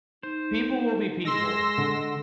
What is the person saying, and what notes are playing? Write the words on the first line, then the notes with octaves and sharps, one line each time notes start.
"People will be people
D#4 C5
G#3 C6 E6 A#6
D3 F#5